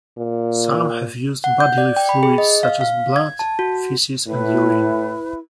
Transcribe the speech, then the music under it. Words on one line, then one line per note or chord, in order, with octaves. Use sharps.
Some have used bodily fluids such as blood, faeces and urine.
A#2
F#5
G6
D5
G5
B5
G#4
D#5
F5
F5
G#6
A5
F#4
A2 E4 B4